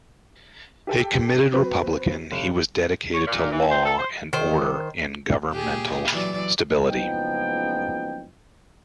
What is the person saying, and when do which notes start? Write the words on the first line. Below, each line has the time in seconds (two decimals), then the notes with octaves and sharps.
A committed republican, he was dedicated to law and order and governmental stability.
0.87 G4 A4 G5
1.52 F#3 C4 B4
2.32 F1
3.14 C#5
3.27 A#2
3.52 E3
3.70 C5
3.85 A4
3.99 C5
4.33 D#3 C5
5.51 A#2 G4 G#4
6.11 E3 F#3 D5
6.86 F#1 C#2 F3 B3 D#4 G5